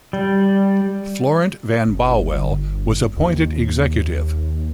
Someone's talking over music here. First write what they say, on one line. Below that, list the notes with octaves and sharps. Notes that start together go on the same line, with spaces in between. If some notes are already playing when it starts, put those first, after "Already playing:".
Florent Van Bauwel was appointed executive.
G3
G1
D#2